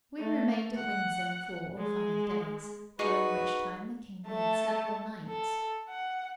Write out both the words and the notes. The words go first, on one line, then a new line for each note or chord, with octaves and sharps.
We remained at Windsor four or five days, during which time the king made several knights.
A3
F#5
G#3
D#4 F#4 G#4 B4 C#6
A3 A5
A4
F#5